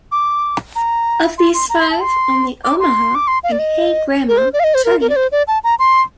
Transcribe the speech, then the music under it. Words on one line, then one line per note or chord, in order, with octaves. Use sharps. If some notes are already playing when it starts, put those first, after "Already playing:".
Of these five, only "Omaha" and "Hey Grandma" charted.
D6
A#5
C6
C6
A#5
C6
A5
C6
D6
C6
D6
C6
F5
D5
D#5
A#4
C5
D5
F5
D#5
C5
A#4
A#4
D5
C5
D5
A5
A#5
C6